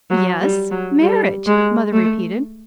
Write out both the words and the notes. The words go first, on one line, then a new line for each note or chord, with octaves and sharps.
"Yes, marriage!" mother repeated.
F#3
G3
F#3
G3
G#3
A3